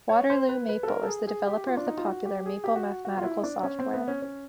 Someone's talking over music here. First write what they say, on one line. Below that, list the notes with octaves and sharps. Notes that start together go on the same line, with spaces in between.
Waterloo Maple is the developer of the popular Maple mathematical software.
C#5
C5
B4
B4
A4
A#4
A4
G#4
G#4
G4
F4
D4
D#4
F4
F#4
G4
G#4
G4
F#4
F#4
F4
E4
D4
C#4
C4
B3
C#4
C#4